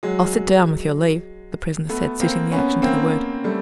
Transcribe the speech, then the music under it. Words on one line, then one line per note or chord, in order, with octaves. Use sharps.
"I'll sit down, with your leave," the prisoner said, suiting the action to the word.
F#3 G#3
A3 B3
A#3 C4
B3 C#4
A#3 C4
G3 A3